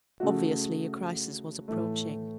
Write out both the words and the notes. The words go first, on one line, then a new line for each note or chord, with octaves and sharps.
Obviously, a crisis was approaching.
C#3 A3 F#4
A2 E3 A3